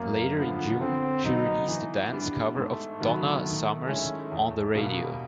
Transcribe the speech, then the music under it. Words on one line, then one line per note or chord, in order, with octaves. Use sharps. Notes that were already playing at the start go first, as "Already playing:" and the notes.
Later in June, she released a dance cover of Donna Summer's "On the Radio".
Already playing: F#2 A#3
D3 F3 B3
D3 C4
F#3 B3 D#4
E3
G3 B3 D4
G#2 A3
D#3 F#3 B3
D#3
G#3 C#4 E4
E2
B2 G3 A#3